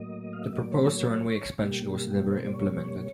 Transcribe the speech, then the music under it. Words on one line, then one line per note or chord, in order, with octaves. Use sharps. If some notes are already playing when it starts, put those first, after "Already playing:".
The proposed runway expansion was never implemented.
Already playing: A2 F#3 A#3 D#5
F5
E5
D#5
D5
C#5
B2 G3 A#3 G4
G4
G4
C5
D5
C#5